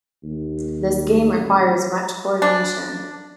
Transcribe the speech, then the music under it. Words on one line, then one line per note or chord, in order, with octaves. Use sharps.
This game requires much coordination.
D#2
A1
D4